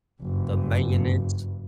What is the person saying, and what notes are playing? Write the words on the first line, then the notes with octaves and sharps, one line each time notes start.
the maintenance.
F#1 G2